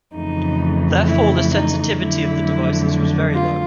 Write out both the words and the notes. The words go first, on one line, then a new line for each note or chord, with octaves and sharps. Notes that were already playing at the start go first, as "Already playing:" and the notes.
Therefore, the sensitivity of the devices was very low.
F2 C#3 E3 A3 D#4
E4
D#4
F2 D3 F#3 A3 E4
F4